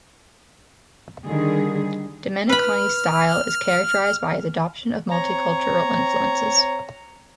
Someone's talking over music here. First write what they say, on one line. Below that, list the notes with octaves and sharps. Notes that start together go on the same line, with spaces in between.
Domeniconi's style is characterized by his adoption of multicultural influences.
D3 D#3 G3 G#4
B4 B5 F6
C4 C#5 A#5